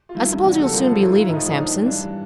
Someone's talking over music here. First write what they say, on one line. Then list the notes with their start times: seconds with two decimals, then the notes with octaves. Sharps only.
I suppose you'll soon be leaving Sampson's.
0.09 F4
0.15 G2 D#3 E4
0.43 E2 C3 E3 F#4
0.61 A4
0.72 G2 D3 F3 A#4
0.86 A4
1.00 G#2 E3 E4
1.10 F4
1.19 E4
1.29 A2 F3 D#4
1.49 D#4
1.57 F#2 D#3 D4
1.85 G2 E3 D4